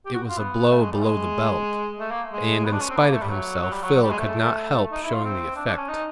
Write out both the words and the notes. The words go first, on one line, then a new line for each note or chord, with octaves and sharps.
It was a blow below the belt, and, in spite of himself, Phil could not help showing the effect.
G4
F#4
F4
B3
A3
G#3
G3
G#3
A3
A#3
G#3
B3
D4
C#4
C4
B3
A#3
A3
G3
F#3
F#3
G3
F#3
F#3
G3
G#3
A3
D#4
E4
F4
C4
D4
D4
C#4
D#4